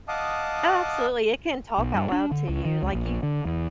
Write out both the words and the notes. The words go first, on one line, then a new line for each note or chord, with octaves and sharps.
Oh, absolutely. It can talk out loud to you, like, you
D#5 F5 F#5 A5 D6 D#6
B1
G2
D4
D3
C#2
D#3
C#2
A#1
D3
E2